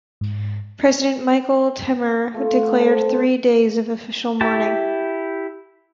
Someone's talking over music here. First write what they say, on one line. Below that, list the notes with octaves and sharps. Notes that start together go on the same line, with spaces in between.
President Michel Temer declared three days of official mourning.
G#2
A3 F4 A4 C#6
F#5
C4 A4
C4 C5
E4 G4 A5